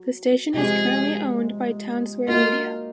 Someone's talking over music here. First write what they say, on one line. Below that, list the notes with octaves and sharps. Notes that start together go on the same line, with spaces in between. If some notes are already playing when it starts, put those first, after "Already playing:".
The station is currently owned by Townsquare Media.
Already playing: F#3
C3 F3 G#3 C4 D#4 G#4
A#3 D#4 F4 F#4 A#4